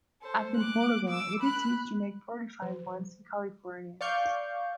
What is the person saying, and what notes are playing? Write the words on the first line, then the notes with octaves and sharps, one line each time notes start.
As in Portugal, it is used to make fortified wines in California.
A4 C5
D6 F#6
D6 E6
B5 F#6
F3
D5 F5 C#6 G6